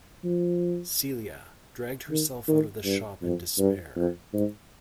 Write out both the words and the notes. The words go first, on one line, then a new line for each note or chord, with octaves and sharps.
Celia dragged herself out of the shop in despair.
F3
D#3
D#3
G2
F2
G2
F2
G#2